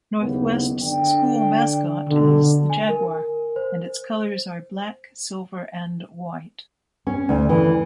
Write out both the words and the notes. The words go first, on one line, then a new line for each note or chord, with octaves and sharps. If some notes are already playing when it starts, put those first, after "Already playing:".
Northwest's school mascot is the jaguar and its colors are black, silver and white.
F#1 D#2 B3
D3 D4 G5
B2 D3
G#5
A#4
C5
C#4
D2
E3